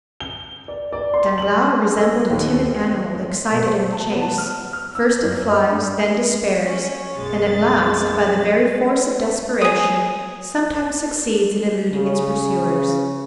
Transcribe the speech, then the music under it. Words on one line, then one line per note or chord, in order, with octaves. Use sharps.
Danglars resembled a timid animal excited in the chase; first it flies, then despairs, and at last, by the very force of desperation, sometimes succeeds in eluding its pursuers.
G7
D5
D5
C6
F#7
A4
D#2
B2
C5
A5
B3
A5
F6
F6
E6
G6
F#2
D#5
G2
C#4
B1 F#2 G#3 A#3 A6
G#4 D#6
C#3